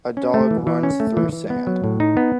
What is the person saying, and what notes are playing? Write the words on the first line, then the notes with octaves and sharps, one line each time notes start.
A dog runs through sand.
C#4
A3
E3
E3
C#4
A3
E3
E3
B3
F#3
A2
D#4
B3